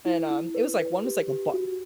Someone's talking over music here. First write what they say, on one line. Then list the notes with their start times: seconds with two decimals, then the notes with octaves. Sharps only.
and, um, it was, like one was like a b
0.05 E4
0.30 E4
0.55 B4
0.79 B4
1.05 G4
1.28 G4
1.54 F#4